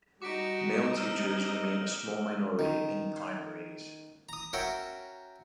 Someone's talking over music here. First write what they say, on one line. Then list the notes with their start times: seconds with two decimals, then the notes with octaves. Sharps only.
Male teachers remain a small minority in primaries.
0.22 G3 D#4 F#4 D#5 D6 B6 D7
0.96 C4 E6 F6
2.59 D#3
4.29 A#5 D#6
4.53 C#4 F#4 A#4 E5 F#5 G5